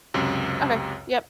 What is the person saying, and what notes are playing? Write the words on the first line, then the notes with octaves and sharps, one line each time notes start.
Okay. Yep.
C#2 F#2 C3